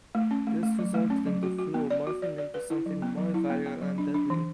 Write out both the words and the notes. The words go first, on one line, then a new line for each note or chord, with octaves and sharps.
This resulted in the flu morphing into something more viral and deadly.
A3
C#4
A3
A3
F#3
A3
C#4
F#3
F#4
F#4
B3
D5
F#4
D5
D5
B4
E4
F#3
B3
F#3
E4
B3
B3
F#3
D4
D4
E3